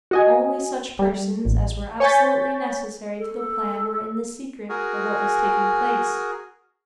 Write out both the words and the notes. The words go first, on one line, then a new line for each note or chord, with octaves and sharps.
Only such persons as were absolutely necessary to the plan were in the secret of what was taking place.
F#4 D#5 G#5
G3
A1
C#5 G#5 C#6 G6 A6 B6
A4
F#4 G#4 A#4 G#5